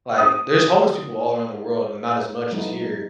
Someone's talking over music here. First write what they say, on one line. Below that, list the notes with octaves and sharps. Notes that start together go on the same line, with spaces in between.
Like, there's homeless people all around the world and not as much as here,
D#6
F#3 G#3 A3 B3 D#4 E4